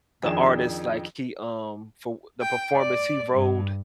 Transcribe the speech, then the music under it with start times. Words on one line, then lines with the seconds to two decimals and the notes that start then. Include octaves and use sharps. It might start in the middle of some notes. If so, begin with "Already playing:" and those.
the artist, like, he, um for the performance he rode
0.23 F2 D#3 D4 G#4 E7
2.41 G5
2.76 D5
3.32 G2